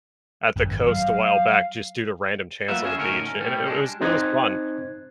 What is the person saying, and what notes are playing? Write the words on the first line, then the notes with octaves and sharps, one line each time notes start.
at the coast a while back just due to random chance on the beach, and i i it it was it was fun.
G#1 F#2
F#3 F5
F#3 A#3 F4 F#4 B4 E5
C#4 G#4 E5
D2 A2 D#3 C#4 E4 A#4
A2 G3
G3 G#3 C4 D4
C4 D#4 C5 D#5 F#6 G#6